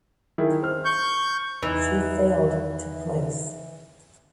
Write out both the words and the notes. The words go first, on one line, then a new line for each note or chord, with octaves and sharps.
She failed to place.
D#3 E4 G#4
C5 F6
C#6 G6
E2 E3 D#4